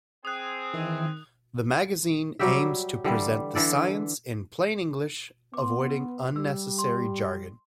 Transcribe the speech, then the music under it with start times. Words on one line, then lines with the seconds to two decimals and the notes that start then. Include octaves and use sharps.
The magazine aims to present the science in plain English, avoiding unnecessary jargon.
0.25 C4 G#4 D#6 F#6
0.74 D#3 E3
2.39 F#3 G3 G4 E5
3.04 D3 E3 G3
3.55 D3 E3 A4 D5
5.54 B3 C6 D6
5.89 B4
6.36 G3 E6
6.78 C6